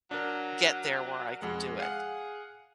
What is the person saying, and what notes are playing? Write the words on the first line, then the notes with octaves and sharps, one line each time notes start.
get there where I can do it.
F#3 D4 A#4
F2 G#3 F#5
G#4 F5 F#5